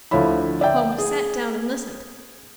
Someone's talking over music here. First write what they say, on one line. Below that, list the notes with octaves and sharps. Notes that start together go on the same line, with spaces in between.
Holmes sat down and listened.
D2 F3 E4 C#5 B5
D5 E5 G5
G#4